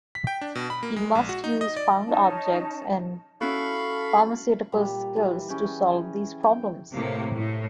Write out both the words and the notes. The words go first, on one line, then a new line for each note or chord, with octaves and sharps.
He must use found objects and pharmaceutical skills to solve these problems.
B6
G5
D4
B2
B5
A#3
G#3
A#1
F#4
D#4
D#5
D5
C#4 D#4 A5
C#4 E4 F#4 A4 F5 B5 C#6
A#2 G3
E3
C#4 G#4 G5
G5
A2 C3 A#3
A2